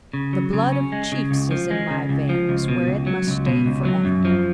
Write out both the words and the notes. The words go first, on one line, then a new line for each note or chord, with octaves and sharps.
The blood of chiefs is in my veins, where it must stay forever.
C#3
F#3
C#3
C#4
G#3
C#3
C#2
F3
G#3
C#3
C#2
F3
C#2
B2
C#2
F#3
C#2
B2
C#2
F#3
F#2
F3